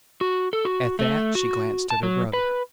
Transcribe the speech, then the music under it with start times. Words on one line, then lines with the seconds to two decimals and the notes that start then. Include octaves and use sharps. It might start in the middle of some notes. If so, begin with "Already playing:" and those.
At that, she glanced at her brother.
0.21 F#4
0.53 A4
0.65 F#4
0.99 A3
1.35 F#4
1.90 A5
2.03 F#3
2.33 B4